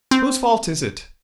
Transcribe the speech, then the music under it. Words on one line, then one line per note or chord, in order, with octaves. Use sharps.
Whose fault is it?
C4